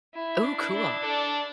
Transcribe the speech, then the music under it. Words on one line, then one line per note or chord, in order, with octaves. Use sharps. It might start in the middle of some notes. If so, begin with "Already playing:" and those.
Ooh, cool.
E4
D4
E4
D4
D4 A4